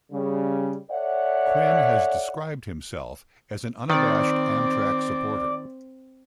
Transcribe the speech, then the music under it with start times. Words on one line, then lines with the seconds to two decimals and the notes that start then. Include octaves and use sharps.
Quinn has described himself as an unabashed Amtrak supporter.
0.12 C#3 G3
0.91 A4 C#5 D5 E5 F#5
3.90 D#3 C4 D5